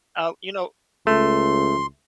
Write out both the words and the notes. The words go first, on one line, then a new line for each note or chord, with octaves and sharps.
uh, you know
C#2 A3 C6